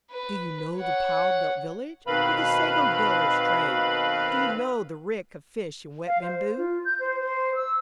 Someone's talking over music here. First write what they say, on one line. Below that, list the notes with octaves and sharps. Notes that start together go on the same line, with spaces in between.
Do you know the pile-built village, where the sago-dealers trade-- Do you know the reek of fish and wet bamboo?
B4
C#5 F#5
B2 D#3 C4 B4 F5 B5
F5
C5
F4
G6
C5
C5
E6